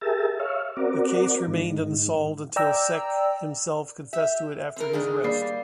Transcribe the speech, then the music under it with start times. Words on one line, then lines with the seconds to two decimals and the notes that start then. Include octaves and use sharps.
This case remained unsolved until Sek himself confessed to it after his arrest.
0.01 G4 G#4 A#4 E5 A5
0.39 C#5 E5 F5
0.77 C4 F#4 A#4 D5
1.47 G#2 D#3
2.56 D5 G5 A#5 E6
4.13 G4 E5
4.76 C4 A4 A#4
4.93 G#2 D#3 D4 G#4
5.24 G3 A#3 D5 C7